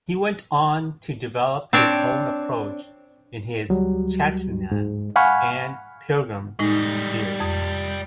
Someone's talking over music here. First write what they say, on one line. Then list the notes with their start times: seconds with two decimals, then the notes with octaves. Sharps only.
He went on to develop his own approach in his "Chaitanya" and "Pilgrim" series.
1.73 C4 D4 C#5
3.69 D2 F#3 G3
4.72 G#2
5.16 F5 F#5 G#5 B5 C#6 F6
6.59 A2 G3 G#3 D#4 D#5
7.40 F2 D#6